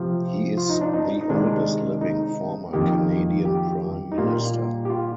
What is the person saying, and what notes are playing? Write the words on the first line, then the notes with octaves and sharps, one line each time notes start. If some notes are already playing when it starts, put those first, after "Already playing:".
He is the oldest living former Canadian prime minister.
Already playing: C3 F3 C4
F4
D#4
D4
D#4
D#4
C3 D#3 G#3 D4
D#4
F2 D#3 A#3 G4
G4
D#4
A#2 G3 A#3 F4
G4
F4